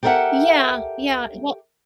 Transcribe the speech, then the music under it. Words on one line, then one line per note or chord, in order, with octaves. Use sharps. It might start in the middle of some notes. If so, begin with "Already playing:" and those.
Yeah, yeah. Well,
G4 A4 A#4 C#5 E5 F#5